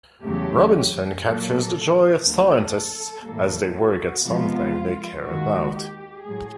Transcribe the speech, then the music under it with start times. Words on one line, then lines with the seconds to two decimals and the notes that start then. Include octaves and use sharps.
Robinson captures the joy of scientists as they work at something they care about.
0.23 E2 C#3 F#3 A3 G4
1.24 A#2 F#3 A#3 A4
2.24 D2 D3 F#3 A#3 A4
3.24 A2 E3 G3 A#3
3.74 F#4
4.25 C3 F3 G#3 B3 F4
5.25 D#2 D#3 G#3 F#4
5.75 G4
6.25 A2 F#3 G#4